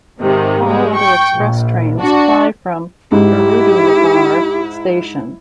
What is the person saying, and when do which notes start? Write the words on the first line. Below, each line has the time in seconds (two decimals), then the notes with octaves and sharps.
All other express trains ply from Virudunagar station.
0.19 G#2 C3 D#3
0.68 G3 G#3
0.97 G5 C#6
1.35 A#1
2.00 D4 F#4
3.12 G#2 E4 G4